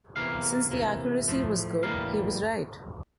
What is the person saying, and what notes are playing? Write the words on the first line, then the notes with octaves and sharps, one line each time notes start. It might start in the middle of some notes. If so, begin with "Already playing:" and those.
Since the accuracy was good, he was right.
E2 C3 E3 A#3 F5
C3 E3 A#3
A2 F3 A3
A2 E3 G3 A#3 F5